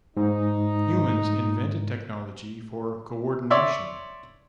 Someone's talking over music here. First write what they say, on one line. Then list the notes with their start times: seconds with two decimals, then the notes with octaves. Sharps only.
Humans invented technology for co-ordination .
0.17 G#2 D#4
3.50 C#5 D5 E5 C6